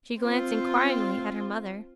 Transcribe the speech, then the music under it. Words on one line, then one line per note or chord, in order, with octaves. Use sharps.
She glanced inquiringly at her mother.
C4 F4